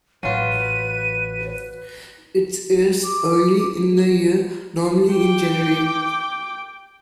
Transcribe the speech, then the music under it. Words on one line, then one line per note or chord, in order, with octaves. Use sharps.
It airs early in the year, normally in January.
A1 F#3 F4 B4 D#7
D6
G5 D6